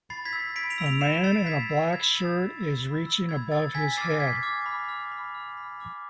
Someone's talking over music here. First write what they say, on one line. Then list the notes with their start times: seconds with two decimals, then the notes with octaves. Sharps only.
A man in a black shirt is reaching above his head.
0.10 B5 A6 C7
0.25 G#6 B6
0.33 E6
0.56 B5 B6 D7
0.70 D7 F7
0.78 E6
0.86 D7 F7
1.01 B5 C7 E7
1.24 E6 A6 C7
1.46 B5 G#6 B6
1.70 E6
1.92 B5 G#6
2.15 E6 A6
2.38 B5
2.61 E6
2.84 B5
3.07 E6
3.29 B5 G#6
3.52 E6 A6
3.74 G#5 G#6 B6
3.97 D6 F6 A6 C7
4.20 G#5 G#6 B6
4.43 D6 F6
4.66 B5
4.89 F6
5.12 B5
5.34 F6
5.57 B5
5.80 D6 F6